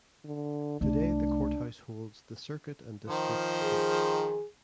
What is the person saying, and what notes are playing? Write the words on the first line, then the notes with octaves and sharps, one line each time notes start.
Today the Courthouse holds the Circuit and District Courts.
D3
C2 A3 D4
D#3 F3 C5
G#4